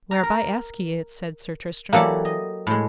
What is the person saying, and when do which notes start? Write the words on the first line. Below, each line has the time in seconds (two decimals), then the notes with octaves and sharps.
Whereby ask ye it? said Sir Tristram.
0.11 A#5
0.23 A#4
1.93 E3 F#3 A#3 G4 A4 D5
2.25 D#5
2.67 A2 G#3